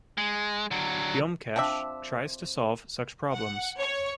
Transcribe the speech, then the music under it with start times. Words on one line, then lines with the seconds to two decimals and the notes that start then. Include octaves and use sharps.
Byomkesh tries to solve such problems.
0.18 G#3
0.71 D3 F#3
1.56 F3 C4 D4 E5
3.35 F#5
3.80 C#5